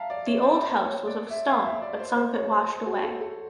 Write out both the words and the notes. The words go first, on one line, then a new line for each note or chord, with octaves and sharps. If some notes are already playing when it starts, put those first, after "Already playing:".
The old house was of stone, but some of it washed away.
Already playing: E5 F5 A5 A#5
D5
C#5
C5
C5
C#5
D5
E5
F5
E5
D5
C5
C5
C#5
C5
C5
F#4
A4
A4